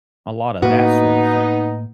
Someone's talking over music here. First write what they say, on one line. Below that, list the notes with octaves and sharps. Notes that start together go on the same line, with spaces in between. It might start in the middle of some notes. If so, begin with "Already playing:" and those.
a lotta that sort of thing.
A2 A#3 B3 D#4 F#4